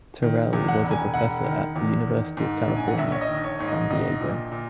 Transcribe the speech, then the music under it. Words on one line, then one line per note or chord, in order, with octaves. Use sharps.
Terrell was a professor at the University of California, San Diego.
D#3
E2
F#5
E1
G#5
E1 F#5
D#3
E2
D#3
G#2
A#1
G#5
F#5
A#1 E5
C#5
D#5
D#3
C#5
G#2 C#5
D#5
A#1 D#5
A#2
A#2